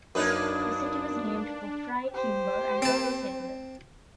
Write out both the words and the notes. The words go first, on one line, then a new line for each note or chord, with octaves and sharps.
The city was named for Frye Kimball, an early settler.
F#2 A#3 D4 D#4 B4 D#6
G4 C5
C4 A5